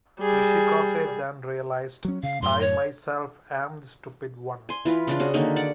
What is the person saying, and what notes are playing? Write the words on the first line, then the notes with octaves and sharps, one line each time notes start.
Michikaze then realized I myself am the stupid one.
G3 G#4
F#3 C#4
C#3 F5
F#2 A2 C6
C#5
G#5 C6
E3 F4 B4
C#3 D4 F4
C#4 F#4 G#4
D3 D#3 A#3 B4
D5 F#5